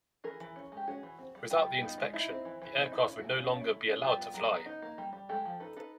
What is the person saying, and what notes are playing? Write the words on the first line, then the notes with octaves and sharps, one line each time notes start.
Without the inspection, the aircraft would no longer be allowed to fly.
E3 G#4 A#4
E3
C#4
G#3 G4
C#4 F#4 G#4
E3
C4
G3
G3 F4 G4
G3
B3 D#4 F4
G#3
D#4 E4
C4
E3
E3
C4 D#4
D#4 E4
C#4 E4
E4 F#4
G#3
E4 F#4
F4
C#4 E4 F#4
D#4 F4
C#4
E4
A3
C#4
G3 F4 G4
B3
F#3
B3
D#4
A#3
G3
G3
G#3 G4 A4
F3
D#4 A4 B4
D#4 A4 B4